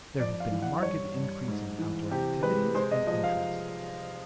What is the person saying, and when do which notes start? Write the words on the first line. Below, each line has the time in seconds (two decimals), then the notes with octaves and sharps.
There has been a marked increase in outdoor activities and interests.
0.19 F2 D5
0.40 F5
0.51 E3
0.62 F#5
0.83 G2 C#5
1.16 G2
1.48 G#2
1.79 E3
2.11 C3 G4
2.43 G#3 B4
2.75 G#3 C5
2.91 D#5
3.07 F3 D#5
3.24 F5